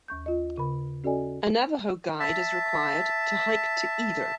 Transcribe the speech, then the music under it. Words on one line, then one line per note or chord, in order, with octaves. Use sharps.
A Navajo guide is required to hike to either.
D#2 C#6 G6
F4 D#5
C#3 A#4 B5
C#4 F#4 A4 D5 D#5 G#5
E5 A5